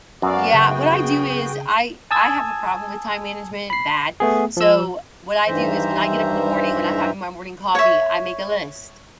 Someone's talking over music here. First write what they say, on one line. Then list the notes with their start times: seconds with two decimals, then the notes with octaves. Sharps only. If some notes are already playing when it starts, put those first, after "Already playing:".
Yeah, what I do is, I I have a problem with time management- bad- so, what I do is, when I get up in the morning, when I'm having my morning coffee, I make a list,
0.22 F#2 B3 F#4 D5 F5
0.54 C#3 G#4 G5
2.11 G#5 A5 D#6 E6 G#6 A6
3.70 B5 C7
4.20 A3 B3 G#4
4.57 F3 E6
5.47 G2 D#3 E3 C5 E5 A#5
7.75 C#5 E5